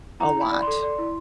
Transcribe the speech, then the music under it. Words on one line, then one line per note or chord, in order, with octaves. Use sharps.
a lot.
E4 A#5
E4 B5
D5
C6
A4
D5
E4